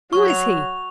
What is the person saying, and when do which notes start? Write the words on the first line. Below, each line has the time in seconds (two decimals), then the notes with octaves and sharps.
Who is he?'
0.13 F#3 C#6
0.30 F7